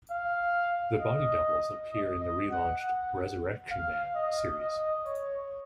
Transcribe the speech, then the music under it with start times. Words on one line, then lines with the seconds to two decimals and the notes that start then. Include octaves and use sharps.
The Body Doubles appear in the relaunched "Resurrection Man" series.
0.11 F5
1.00 D#5
1.91 D#5
2.21 D#5
2.51 F#5
2.80 F#5
3.70 F5
4.15 D#5
4.61 D#5
5.05 C#5